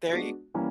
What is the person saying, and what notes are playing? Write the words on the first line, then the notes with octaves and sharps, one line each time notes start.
There you
G#3 B3 D4 F#4
E3 G3 A#3 C#4